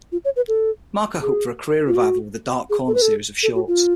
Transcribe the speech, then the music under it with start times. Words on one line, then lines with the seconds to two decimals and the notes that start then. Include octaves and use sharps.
Marco hoped for a career revival with the "Dark Corner" series of shorts.
0.12 F4
0.25 C#5
0.36 B4
0.48 A4
1.22 G#4
1.87 F4
1.96 F#4
2.70 G#4
2.88 A4
2.95 B4
3.02 A4
3.43 A4
3.55 F#4
3.68 F4